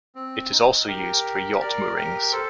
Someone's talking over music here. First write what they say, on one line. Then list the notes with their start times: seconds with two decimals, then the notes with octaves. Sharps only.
It is also used for yacht moorings.
0.15 C4
0.52 D#4
0.87 G4 A#4
1.60 A#4 D5
1.96 G4 A#4
2.32 A4 C5